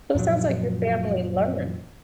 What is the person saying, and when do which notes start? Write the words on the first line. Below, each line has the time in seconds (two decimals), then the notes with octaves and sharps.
So, it sounds like your family learned
0.15 F#2 A#2 F3 F#3